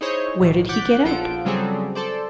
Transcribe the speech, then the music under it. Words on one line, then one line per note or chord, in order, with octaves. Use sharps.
Where did he get out?
D#4 E4 G#4 C5 C#5 D#5
B1 A2
F#5 D6 F#6 G6 A6 B6
A#1 F3 F4 A4 F#5 D7
C#3 F#3 G3 C4 G#4 A4
A4 C5 D5